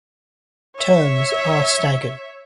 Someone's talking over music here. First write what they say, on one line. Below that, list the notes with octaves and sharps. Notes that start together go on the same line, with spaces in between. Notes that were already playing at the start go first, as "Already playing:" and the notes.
Terms are staggered.
C#5 E5